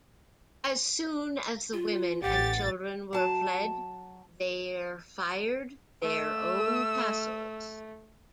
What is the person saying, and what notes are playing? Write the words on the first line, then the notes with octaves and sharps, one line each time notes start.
As soon as the women and children were fled, their fired their own Castles.
F4
A1 G4 F#5 A6
F#3 A5
A3 E6